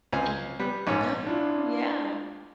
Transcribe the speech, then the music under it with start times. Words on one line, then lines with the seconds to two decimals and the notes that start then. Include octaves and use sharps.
Mhm. No. Yeah.
0.12 C#2 C4 G#5
0.60 G3 B3
0.87 A#1 G#2 C#4
1.27 D4 E4 F4